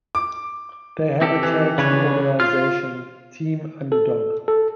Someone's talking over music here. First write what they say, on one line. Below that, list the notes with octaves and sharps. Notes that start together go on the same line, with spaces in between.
They have a charity organization, Team Underdog.
D6
C4 G4 A4
E3
C#3 D4 B4 C#5
F4 F6
A4
A4